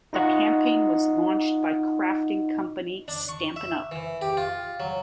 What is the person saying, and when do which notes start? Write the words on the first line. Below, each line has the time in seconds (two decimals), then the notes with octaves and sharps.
The campaign was launched by crafting company Stampin' Up!
0.13 D#4 F4 D#5 F#5 C#6
3.08 D4
3.29 C#6
3.56 E5
3.92 E3
4.21 G4
4.37 F4
4.80 F#3